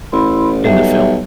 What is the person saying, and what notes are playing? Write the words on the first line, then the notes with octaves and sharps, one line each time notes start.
in the film.
A1 E4 B5 C6
B1 G3 G4 E5